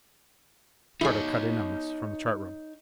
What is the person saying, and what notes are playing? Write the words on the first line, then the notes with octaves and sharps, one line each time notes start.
Carter cut in on us from the chart room.
D#4 E4 G#4 C#5